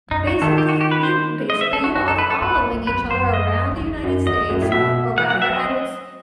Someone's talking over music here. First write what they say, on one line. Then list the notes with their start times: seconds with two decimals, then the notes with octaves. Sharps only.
basically f you basically, you are following each other around the United States- or wherever- and it's
0.11 F#2 D#4
0.26 G2 F#4
0.42 D#3 A4
0.58 G4
0.69 F#4
0.81 G4
0.91 B4
1.03 C5
1.50 D#5
1.61 E5
1.72 E3 A4
1.84 F#4
1.95 F#2 F#4
2.08 A4
2.18 B4
2.30 A4
2.41 G2 B4
2.58 G2
2.72 F#2
2.87 F#2 B4
3.11 F#2 C5
3.34 D#5
3.71 F#2
3.80 E2
4.03 F#2
4.26 E2 D#5
4.37 E2
4.49 F#2
4.61 A2
4.72 B2 E5
4.95 D#3
5.18 E3 F#5
5.30 F#5
5.34 F#3
5.42 E5
5.49 F#3 D#5